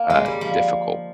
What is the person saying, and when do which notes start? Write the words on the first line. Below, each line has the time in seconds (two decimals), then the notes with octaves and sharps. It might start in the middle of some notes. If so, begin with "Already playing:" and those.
uh, difficult.
Already playing: A#3
0.10 G#3
0.26 G3
0.41 F3